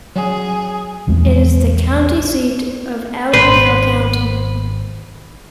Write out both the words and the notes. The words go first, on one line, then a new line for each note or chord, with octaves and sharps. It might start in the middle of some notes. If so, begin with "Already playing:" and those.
It is the county seat of Allendale County.
F#3 G#4
A#1 E2 G#3 C4
G#1 B4 C5